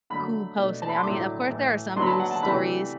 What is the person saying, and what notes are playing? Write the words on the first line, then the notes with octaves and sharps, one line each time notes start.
who posted it. I mean, of course, there are some news stories,
D3 F#3 A3 B5
B2 A3 D4
A5
B5
C6
A2 F#3 A3 D4 D6
A2 E3 A3
D3 F#3 B3 D4 C6
B5
A5
F#5
A5
C3 E3 A3 D4 B5